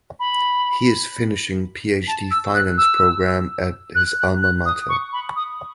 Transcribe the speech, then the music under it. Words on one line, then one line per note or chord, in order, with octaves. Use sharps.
He is finishing PhD Finance programme at his Alma Mater.
B5
A5
E6
F#6
E6
F#6
F#6
F#6
D#6
C#6
B5
D#6